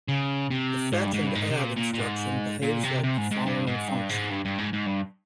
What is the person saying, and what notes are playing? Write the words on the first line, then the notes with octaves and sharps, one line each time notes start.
The fetch-and-add instruction behaves like the following function.
C#3
C3
G#2
G2
G#2
G2
G#2
C3
A#2
A#2
A#2
G#2
A#2
C3
C3
G#2
G#2
G2
G#2
G2
G#2
G2
G2
G#2
G#2
G2